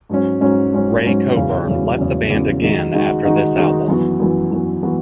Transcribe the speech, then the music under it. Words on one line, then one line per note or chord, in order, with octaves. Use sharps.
Ray Coburn left the band again after this album.
G#2 F#3 C#4
G#2 F#3 C#4
G#2 F#3 C#4
G#2 F#3 C#4
E2 C#3 F#3 C#4
E2 C#3 F#3 C#4
E2 C#3 F#3 C#4
E2 C#3 F#3 C#4
D#3 G#3 D#4 F#4
D#3 G#3 D#4 F#4
D#3 G#3 D#4 F#4
D#3 G#3 D#4 F#4
F#2 E3 B3 F#4
F#2 E3 B3 F#4
F#2 E3 B3 F#4
E3 B3 F#4